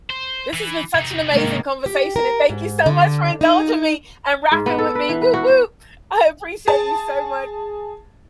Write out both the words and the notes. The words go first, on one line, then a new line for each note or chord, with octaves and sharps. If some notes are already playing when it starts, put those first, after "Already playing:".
This has been such an amazing conversation, and thank you, so, much for indulging me and rapping with me! Whoop whoop! I appreciate you so much,
C5
E3
C3 D#4
G#2 D#3 A#3
G4
A#4
G#2
D3
D#4
G#2
B3
A4
B4
E3
B4
F#4
F#4
G#4 A5